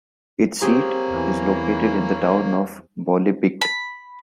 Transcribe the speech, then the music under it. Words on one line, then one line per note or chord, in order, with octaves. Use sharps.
Its seat is located in the town of Bollebygd.
A#3 C4 G4 G#4 C#5 A#5
E2 E3
B5